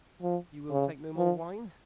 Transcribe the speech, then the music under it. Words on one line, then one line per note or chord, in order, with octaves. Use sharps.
"You will take no more wine?"
F3
C#3
F3